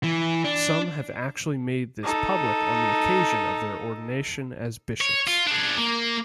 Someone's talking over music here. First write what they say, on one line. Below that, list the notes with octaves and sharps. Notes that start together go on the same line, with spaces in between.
Some have actually made this public on the occasion of their ordination as bishops.
E3
D4
D#4 A4
C#5
F4
D4 G#4
A#3